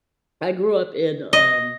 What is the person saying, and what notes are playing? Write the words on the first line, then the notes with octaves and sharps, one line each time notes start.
I grew up in, um,
D#5